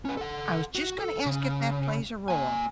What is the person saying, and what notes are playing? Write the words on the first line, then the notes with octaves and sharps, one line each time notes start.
I was just gonna ask if that plays a role.
C#4 B4
A4 F#5
F#4
A4
C#3
A#3 G#5